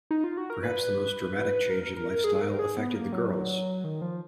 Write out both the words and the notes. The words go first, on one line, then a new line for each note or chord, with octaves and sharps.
Perhaps the most dramatic change in lifestyle affected the girls.
D#4
F4
F#4
A#4
B4
A#4
A#4
A#4
A#4
G#4
G#4
A#4
G#4
B3
A#3
F#3
D#3
F3